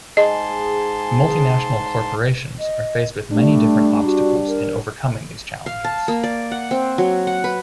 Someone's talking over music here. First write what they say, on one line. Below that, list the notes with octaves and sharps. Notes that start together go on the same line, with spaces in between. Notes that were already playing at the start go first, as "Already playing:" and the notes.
Multinational Corporations are faced with many different obstacles in overcoming these challenges.
G#2 G#4 D#5 A5 C6
D#5
G3 A3 D4
F#4
A#4
F5
A5
A#3
D5
F#5
C4
F#3
F#5
B4